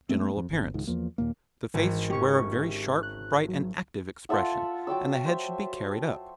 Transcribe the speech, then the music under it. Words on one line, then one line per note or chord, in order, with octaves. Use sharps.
GENERAL APPEARANCE--The face should wear a very sharp, bright and active expression, and the head should be carried up.
G#3 A3 C4
F2
G1
C#2 G#2 D#3
E2 F3 A#3
D#2 A#2 A#3
G#1 E3
C#4 G4 C#6 C#7
F#6
F#3
F4 A4 E5 F#5
F#3 G5 D6 E6
C5 E5